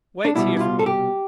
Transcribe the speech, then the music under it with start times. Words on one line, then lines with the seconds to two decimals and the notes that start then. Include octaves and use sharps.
"Wait here for me."
0.25 D4
0.35 C2 B2 G3 E4
0.57 E4
0.61 F4
0.79 A4
0.86 G4